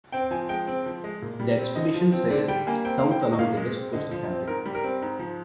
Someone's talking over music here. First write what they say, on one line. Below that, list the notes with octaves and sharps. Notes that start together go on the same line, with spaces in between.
The expedition sailed south along the west coast of Africa.
C4 G5
F3 G#5
G#3 G5
C4
F3
G#3
A#2
G3
C4
D3 D#5
F3
C4
D3 D5
G3 G5
A#3 G#5
C4 G5
D3 F5
G5
G#3
D#5
A#2 F5
G#3
C4
D3 D#5
F3
C4
G#2 A#4
G3
A#4
C4
G#2
F3